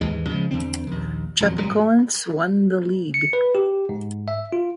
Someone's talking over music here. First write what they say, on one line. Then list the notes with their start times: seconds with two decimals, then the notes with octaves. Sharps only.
Chapecoense won the league.
0.01 D#2 G#2 E3 G#3
0.29 C#3 F3 G3 G#3
0.51 E2 D3 C4
0.87 A#1 D#2
1.40 D#1 F2 F#3
1.59 G2 F#3 G3
3.14 C#7
3.33 B4
3.55 G4
3.89 G#2
4.28 E5
4.52 F4